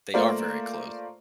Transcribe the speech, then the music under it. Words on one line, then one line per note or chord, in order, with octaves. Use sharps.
they are very close.
A3 A#3 F4 A#4 C5 D5